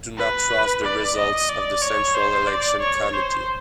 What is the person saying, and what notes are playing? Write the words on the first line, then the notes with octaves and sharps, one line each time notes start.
Do not trust the results of the central election committee.
B4
D5
D#5
D5
C#5
C5
D5
C#5
C5